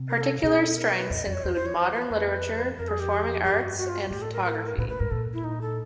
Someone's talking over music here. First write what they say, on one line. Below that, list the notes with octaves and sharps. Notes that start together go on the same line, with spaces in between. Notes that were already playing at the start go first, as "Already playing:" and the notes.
Particular strengths include modern literature, performing arts, and photography.
Already playing: C3
A#4
A4
B2 G#4
A4
A#4
B4
F2 D#5
F2 D5
C#5
E2 C5
C5
C#5
C5
B4
F2
F2 A#4
G#4
G4
G2 G4
F#4
F#4
F4
F#4
A2 G4
A4
A#4
A#4
A4
A#4
A#2 B4
A2 B4
G#2 A#4
A#2 A4
E4
D#4
A4